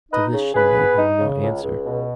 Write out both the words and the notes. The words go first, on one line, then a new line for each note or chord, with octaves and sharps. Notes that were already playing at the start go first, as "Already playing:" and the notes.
To this she made him no answer.
D#4 B4 D#5
C#3
C#3 G#4 B4
B3
D#4
C#3
C#2
C#2
B2